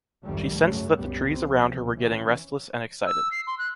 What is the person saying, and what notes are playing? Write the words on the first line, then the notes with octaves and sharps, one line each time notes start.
She sensed that the trees around her were getting restless and excited.
C2 F2 G#2 D#3 G3 A3
C2 F#2 C#3 F#3 A3
C2 F#2 A#2 G3 B3
F2 C4
C#2 B2
E3 C#4
E6
C7
C6
F#6